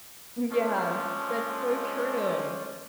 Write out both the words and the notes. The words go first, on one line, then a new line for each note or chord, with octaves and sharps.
Yeah, that's so true.
F3 G#3 A3 C#4 D4 F4